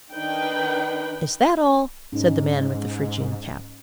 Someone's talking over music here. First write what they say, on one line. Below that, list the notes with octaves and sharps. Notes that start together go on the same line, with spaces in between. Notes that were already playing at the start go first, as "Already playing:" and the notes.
"Is that all?" said the man with the phrygian cap.
D#3 D4 D#4 B4 G5
G#2 C#4 D#4